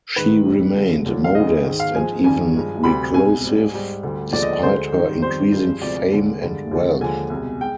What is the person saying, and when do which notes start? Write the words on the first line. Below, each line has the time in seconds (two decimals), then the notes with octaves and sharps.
She remained modest and even reclusive despite her increasing fame and wealth.
0.16 G#2 D#3 G#3 B4
0.45 F2 C3 G3
0.76 G2 D3 G#3
1.06 D#2 D3 F3
1.24 F5
1.35 D2 D3 G#3 D#5
1.64 G#2 D#3 G#3
1.80 F5
1.94 G#2 F3 G#3 G#5
2.24 G2 D#3 G3 G#5
2.55 G2 F3 G#3
2.83 D2 C3 G3 B5
3.14 C2 B2 G#3 G#5
3.44 G#2 G3
3.73 G#2 G3
4.03 D2 D3 G3
4.32 D#2 D3 F3 G#3 D5
4.43 D#5
4.53 D5
4.63 D2 D3 G#3 C5
4.92 G#2 D#3 G3
5.22 F2 D#3 G3 C5
5.52 G2 F3 G#3
5.82 D2 C3 F3 G#3 D5
6.11 D#2 D3 G#3
6.42 G2 D3 G#3
6.71 D#2 D3 F3 G#3
7.01 D#2 D3 F3 G#3 G#5
7.30 C2 B2 G#3
7.61 G#3 G5